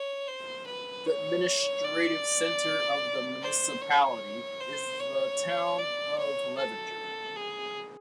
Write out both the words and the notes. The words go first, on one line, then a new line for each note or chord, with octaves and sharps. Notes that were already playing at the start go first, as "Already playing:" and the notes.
The administrative centre of the municipality is the town of Levanger.
Already playing: C#5
C5
B4
C#5
D5
C5
C#5
C5
C#5
D5
C#5
A4
G#4